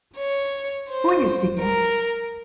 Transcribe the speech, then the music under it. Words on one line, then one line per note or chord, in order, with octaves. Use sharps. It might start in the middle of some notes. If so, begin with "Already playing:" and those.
Who are you seeking?
C#5
C5
A#4